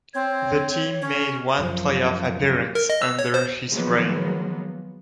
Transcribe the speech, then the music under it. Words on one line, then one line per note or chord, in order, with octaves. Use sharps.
The team made one playoff appearance under his reign.
C4 C#5
C#4
F#2 F3
A#4
D#5
E6
C#5
C5
D#3 F3 F#3 G#3 A#3 B3